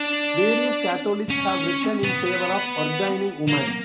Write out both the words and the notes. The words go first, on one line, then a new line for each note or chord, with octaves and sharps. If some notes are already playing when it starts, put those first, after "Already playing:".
Various Catholics have written in favor of ordaining women.
Already playing: D4
C#4
B3
A#3